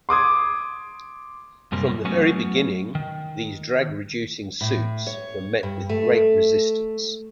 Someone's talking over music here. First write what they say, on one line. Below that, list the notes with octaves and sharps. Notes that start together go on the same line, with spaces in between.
From the very beginning, these drag reducing suits were met with great resistance.
C6 D6 D#6 G#6
F#2 C3 G3 A#3
F#3 A3 B3 C#4 F#4
D#3
A2
C#5
G2
A3